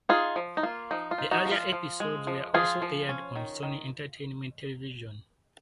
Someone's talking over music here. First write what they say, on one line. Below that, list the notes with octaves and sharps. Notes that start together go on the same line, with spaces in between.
The earlier episodes were also aired on Sony Entertainment Television.
D#4 F4 G#4
F3
D#4
A#3 F4
F3 D#4
F4
D#4
D#4 F#4
F3
F4
F3
G#3
F3
F3 F4 G#4
F3
C#4
D#3
D#3